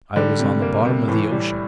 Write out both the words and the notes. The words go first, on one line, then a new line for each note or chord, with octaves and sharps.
I was on the bottom of the ocean.
D3 G3
C3
A#3
C3
A2 E3
G3